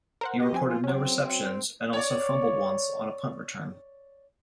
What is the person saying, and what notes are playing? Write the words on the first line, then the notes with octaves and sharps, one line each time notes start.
He recorded no receptions and also fumbled once on a punt return.
A#4 C5 F#5
B3 G4 D#5
F3 C4 G#5
F4
F#3 C4 C#4
C#5 D5